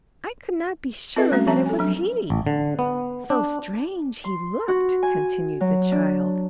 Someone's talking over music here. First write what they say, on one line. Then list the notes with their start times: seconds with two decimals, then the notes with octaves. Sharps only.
"I could not be sure that it was he--so strange he looked," continued the child.
1.16 C4 F4 A4 B4 D#5 E5
1.31 G3 A3 C#4 F#4
1.47 F3 C4 A#5
1.66 A4 G#5
1.79 F#3 D4
2.30 A1
2.47 D3
2.79 B3
3.30 D4
4.24 C6
4.68 F#4
5.03 G#5
5.61 F#3
5.92 D4